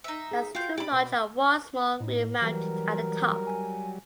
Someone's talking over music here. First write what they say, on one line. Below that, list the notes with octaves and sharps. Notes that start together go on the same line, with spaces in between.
It has two large and one small wheel mounted at the top.
D#4 E5
G#4
F4 F#4 F5 G5 G6
D4 G4 D5 B5
B2
A2 D#4
E3 F#3 G3 A#4
G#5